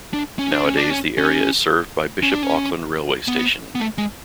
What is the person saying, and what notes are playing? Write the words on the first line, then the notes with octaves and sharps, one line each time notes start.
Nowadays the area is served by Bishop Auckland railway station.
D4
C#4
D4
C#4
D4
C#4
C#4
C#4
D4
C#4
B3
B3
A3
G#3